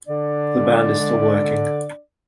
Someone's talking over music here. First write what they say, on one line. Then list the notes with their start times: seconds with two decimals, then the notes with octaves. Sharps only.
The band is still working.
0.07 D3 D4 D5
0.53 G#3
0.98 D3
1.44 D3